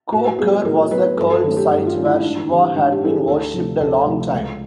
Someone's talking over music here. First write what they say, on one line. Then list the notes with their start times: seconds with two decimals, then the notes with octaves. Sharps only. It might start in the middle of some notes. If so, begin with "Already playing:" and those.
Koh Ker was a cult site where Shiva had been worshipped a long time.
0.12 A2 F#4
0.39 F#3 B3 G#4
0.65 A2 A#4
0.91 F#3 B3 B4
1.17 G2 A4
1.30 A4
1.44 D#3 F#3 A3 C#4 A4
1.57 G4
1.70 G2
1.87 F4
1.96 D#3 F#3 A3 C#4
2.05 E4
2.22 G#2 D4
2.49 E3 G3 C4
2.75 G#2 D4
2.92 G4
3.01 E3 G3 C4 A4
3.10 G#4
3.27 D2 A4
3.53 C3 F3 A3
3.80 D2 A4
4.06 C3 F3 A3
4.33 C#2